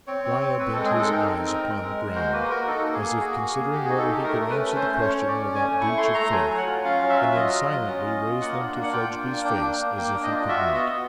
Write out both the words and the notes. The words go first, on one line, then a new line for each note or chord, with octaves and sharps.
Riah bent his eyes upon the ground, as if considering whether he could answer the question without breach of faith, and then silently raised them to Fledgeby's face, as if he could not.
C4 C#5
C4
C4
C4 B4
G#3 A4
G#4
D#4 A4
C4 A#4
D#4
C4
G#3
G#3
G#3
F#4 C5
A#3 B4
F#4 A#4
D#4 A4
A#3
G#4
A#3
F#4 G#4
A#3
A#3
F#4 G4
D#4 G#4
A4
D#4 G4
A3 A#4
A3
B4
C#4
A3 C5
C#4
C#5
C#4
C#4 D5
C#4
G#5
A3
E4 C#6
A3 C6
A3 A#5
F#3 G#5
F#3
F#5
F4
C#4 F5
F#3
E5
F4
F#3 D#5
F4
F#3
C#4
F4
F4
A#3 F#5
D4
A#3
F#5
F4 G5
D4
A#3
D4 G5
A#3
A#3
A#3 G5
D4
D#5
F4
F#4 E5
B3
D#5
B3